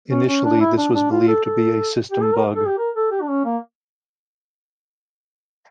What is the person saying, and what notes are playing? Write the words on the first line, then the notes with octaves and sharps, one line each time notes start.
Initially this was believed to be a system bug.
C#4
C#4
D4
E4
D4
D4
F4
A4
A4
G4
A4
A#4
A4
G4
A#4
A4
G4
D4
C#4
A#3